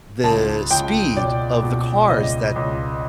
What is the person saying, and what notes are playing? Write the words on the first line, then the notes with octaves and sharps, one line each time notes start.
the speed of the cars that
C#2 A5
C#2 G5
B2 D5
B2
C#2 D#5
C#2